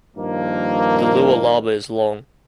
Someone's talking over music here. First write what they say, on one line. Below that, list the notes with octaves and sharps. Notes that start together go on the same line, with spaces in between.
The Lualaba is long.
G2 D#3 F3 A#3